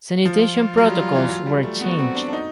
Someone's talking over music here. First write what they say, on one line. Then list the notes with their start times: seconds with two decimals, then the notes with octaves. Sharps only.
Sanitation protocols were changed.
0.24 F3 F4
0.77 F#3
0.90 G3
1.02 F#3
1.15 E3
1.29 F#3
1.46 G3
1.63 A3
1.80 B3 F#4
1.98 C4
2.15 D4
2.28 D4
2.33 D#4